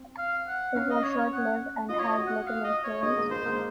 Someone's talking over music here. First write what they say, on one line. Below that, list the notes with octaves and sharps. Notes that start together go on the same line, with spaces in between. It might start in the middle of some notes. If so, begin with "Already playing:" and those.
It was short-lived and had little influence.
Already playing: C4
F5
F#5
C#4 F5
D#5
C#5
C#5
F#5
F4 D#5
C#5
D#5
F#4
F#5
F5
D#5
C#5
G#3 D#5
A#3
G#3 C5
A#3